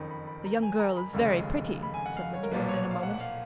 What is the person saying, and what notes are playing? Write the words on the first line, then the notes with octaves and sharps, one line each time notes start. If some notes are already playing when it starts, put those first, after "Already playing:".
"The young girl is very pretty," said Winterbourne in a moment.
Already playing: F#1 F2 D#3 B5
B5
B5
A#5
G#5
A#5
B5
F1 D#2 C#3 G#3
B5
G#5
F#5
F5
C#5
A#4
B1 A#2 F3 A#3 B4
C#5
F5
F#5
F#5
F5